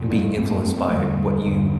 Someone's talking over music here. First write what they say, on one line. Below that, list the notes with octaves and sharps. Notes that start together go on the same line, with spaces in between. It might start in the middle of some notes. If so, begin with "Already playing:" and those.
and being influenced by what you
Already playing: F2 C3
G3 A#3
F2 C3 A3 C4
A#3 D4
A3 C4
A3 C4
E2 D3 G3 A#3
E2 D3